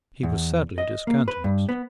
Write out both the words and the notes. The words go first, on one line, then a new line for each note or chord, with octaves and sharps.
He was sadly discountenanced.
E2
D#5
A#3
B4
G2
B3